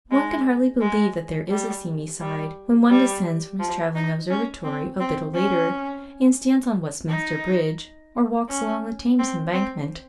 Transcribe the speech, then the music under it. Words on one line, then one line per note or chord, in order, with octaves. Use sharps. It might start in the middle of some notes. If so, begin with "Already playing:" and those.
One can hardly believe that there is a seamy side when one descends from his travelling observatory a little later, and stands on Westminster Bridge, or walks along the Thames Embankment.
G#3
G#3
G3
G3
G3
F3
D#4
C#4
C4
C4
C#4
D#4
C#4
C4
C4